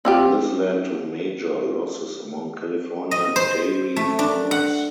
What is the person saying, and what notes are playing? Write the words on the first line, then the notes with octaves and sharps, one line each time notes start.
This led to major losses among California dairy farmers.
C4 F4 G4
D#5
C5
A3
D4
F#5